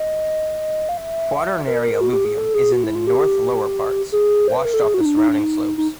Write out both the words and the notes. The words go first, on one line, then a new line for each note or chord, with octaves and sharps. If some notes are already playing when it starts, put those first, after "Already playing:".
Quaternary alluvium is in the north lower parts, washed off the surrounding slopes.
Already playing: D#5
F5
E5
A#4
F#4
G4
G#4
A4
G#4
F#4
E4
F4
G4
G#4
C5
B4
A#4
A4
G#4
F#4
D#4
D4
D#4
D4
D#4
D#4